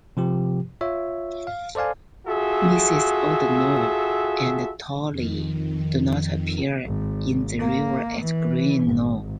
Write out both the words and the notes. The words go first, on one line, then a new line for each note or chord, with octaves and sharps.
Mrs. Oldknow and Tolly do not appear in "The River at Green Knowe".
C3 F3 G4
F4 C#5 E5
F5
A4 C5 D5 F5 G#5
F4 F#4 G#4 A4 E5
F2 D#3
G#1
A#3
E3
G#1